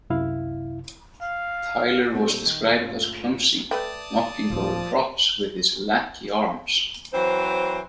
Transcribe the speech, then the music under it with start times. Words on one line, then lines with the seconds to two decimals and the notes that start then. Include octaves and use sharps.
Tyler was described as clumsy, knocking over props with his "lanky arms".
0.10 C2 F#2 C3 E4 F5
1.22 F5
2.15 A#2 G3 A3 C4 G4
2.46 D#3
2.80 F#1 A2 F4
3.71 A3 B4 D5 G5 A5 D#6
4.50 D1 F3
7.13 E3 F#3 C4 C5